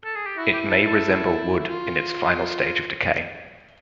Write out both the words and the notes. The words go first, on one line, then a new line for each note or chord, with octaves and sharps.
It may resemble wood in its final stage of decay.
A4
G#4
G4
E4 F#4
G4
A4
A4
E4
F4